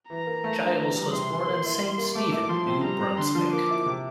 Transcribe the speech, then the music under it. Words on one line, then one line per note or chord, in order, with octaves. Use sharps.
Giles was born in Saint Stephen, New Brunswick.
E3 A#5
A#3
A3
D4
E3
G3
C3 C6
E3
A#3
E4
G3
A#3
A3 D6
E4
F3 C6
C4
G3 A#5
C4
D3 C6
F3
A#3 D6
E4
C3